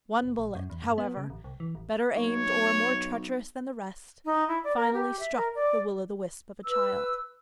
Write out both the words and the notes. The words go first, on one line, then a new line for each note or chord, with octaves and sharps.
One bullet, however, better aimed or more treacherous than the rest, finally struck the will-o'-the-wisp of a child.
F1
A#1
F#2
E2
G2
B3
C#3
A1
C2
E3
A1
B1 C#5
D#4
E4
D5
A#4
G4
E5
A#4
D5
B4 E6